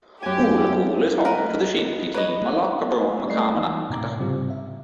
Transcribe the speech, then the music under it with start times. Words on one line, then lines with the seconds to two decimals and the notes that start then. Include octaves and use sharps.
Ullapool is home to the shinty team Lochbroom Camanachd.
0.23 F#2 G4 G#5
1.25 A#4 B4 D#5
2.14 B4 C#5 D#5
3.26 G3 A3 A4 D5 D#5 C7
3.54 E3 G3 D#4
3.90 A2 C3 A#5 D6
4.19 G#2 C#3 G3 C4 F4 G4
4.50 E5